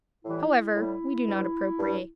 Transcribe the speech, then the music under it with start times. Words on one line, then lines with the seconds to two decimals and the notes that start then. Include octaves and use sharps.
However we do not appropriate.
0.24 A2 E3 G3 E4
0.75 A2 G3
1.27 G2 G3
1.78 G2 G3